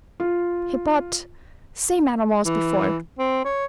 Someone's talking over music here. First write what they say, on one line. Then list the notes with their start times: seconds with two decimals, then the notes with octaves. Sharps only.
Hippot--same animal as before.
0.20 F4
2.44 E3
3.19 C4
3.45 C#5